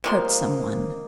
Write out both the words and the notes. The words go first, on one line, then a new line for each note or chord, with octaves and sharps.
Hurt someone.
C3 F3 A#3 D#5 F5 C6